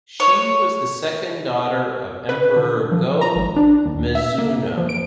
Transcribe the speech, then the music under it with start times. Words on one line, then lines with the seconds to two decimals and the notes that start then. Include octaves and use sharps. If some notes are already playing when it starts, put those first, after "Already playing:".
She was the second daughter of Emperor Go-Mizunoo.
0.20 C#5
2.29 B4
2.56 D3
2.92 F3
3.21 A#5
3.36 G#1
3.56 D4
3.86 D#2
4.15 E5
4.38 A#3
4.78 F3
4.89 D7